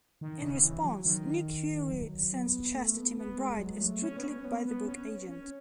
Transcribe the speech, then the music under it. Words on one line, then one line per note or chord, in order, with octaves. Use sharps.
In response, Nick Fury sends Chastity McBryde, a strictly by-the-book agent.
D#3
C#3
E3
F#3
D#3
F#3
B3
A3
B3
B3
G#3
F#3
A3
C#4
B3
C#4
B3
B3
C#4
C#4